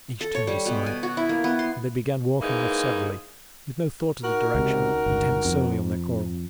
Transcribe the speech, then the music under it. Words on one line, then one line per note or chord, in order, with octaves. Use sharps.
Each turned aside, and they began walking off severally, with no thought of the direction, intent solely on their quarrel.
A4
C#5
G3
B2
G#5
F#4
E4
A#3
B3
C6
G#2 E3 A#3 D#4 G#4
D#4 F#4 A#4
C#2 C3
G1 C#2
F2